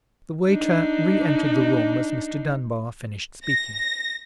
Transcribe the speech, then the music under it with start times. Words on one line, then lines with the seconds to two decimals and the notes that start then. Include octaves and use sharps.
The waiter re-entered the room as Mr. Dunbar finished speaking.
0.49 D4 D#4
3.44 A#6